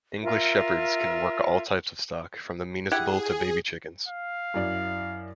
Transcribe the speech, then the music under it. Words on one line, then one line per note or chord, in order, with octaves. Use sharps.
English Shepherds can work all types of stock-from the meanest bull to baby chickens.
F4 A#4 E5
E4 G4 G#4 F#5
F5
F#2 E4 D5